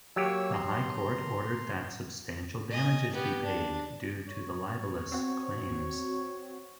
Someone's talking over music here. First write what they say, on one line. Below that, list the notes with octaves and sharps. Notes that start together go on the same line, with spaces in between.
The High Court ordered that substantial damages be paid due to the libellous claims.
F#3 A#3 G4 C#5 E6
A#5 C6
D#5 G#5
B3 G4
D4
C#5
C4 F#4